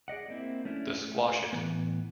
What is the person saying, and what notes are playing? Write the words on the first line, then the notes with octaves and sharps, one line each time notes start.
The Squash It!
G#4 D5 D#5 F#5
A#3 C4 E4
A3 C#4 D4 E4
A3
A2 E3 B3